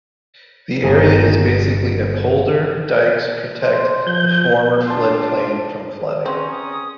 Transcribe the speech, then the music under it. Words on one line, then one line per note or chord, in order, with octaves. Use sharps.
The area is basically a polder, dikes protect the former floodplain from flooding.
G1 G#4 G#5 A#5
C5
F3 G6
D4 F4 A5 C6
C4 C#4 G#4 B4 A#5
D#6